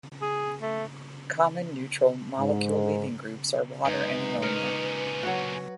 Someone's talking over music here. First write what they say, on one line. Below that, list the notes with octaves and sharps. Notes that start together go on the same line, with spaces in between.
Common neutral molecule leaving groups are water and ammonia.
G#4
A3
G#2
F#2 G#3 D#4 B4
A#2 C#4 A#4
F#3 F#4